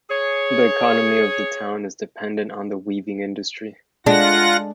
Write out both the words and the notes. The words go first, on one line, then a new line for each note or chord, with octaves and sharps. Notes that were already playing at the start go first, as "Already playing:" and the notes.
The economy of the town is dependent on the weaving industry.
G#4 C#5
G#3 D4 F4 F#5 A#6